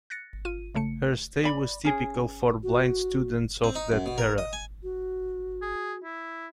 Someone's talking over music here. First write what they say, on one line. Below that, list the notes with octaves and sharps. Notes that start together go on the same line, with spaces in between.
Her stay was typical for blind students of that era.
F#6 A6 A#6 C#7
F4 D#7
G#1 C#3 A3 C#7
D5 B5
C#4 G#4
F#4
C4
D#4
F#2
B2
A#4
D#5
G#5
F#4
G#4
E4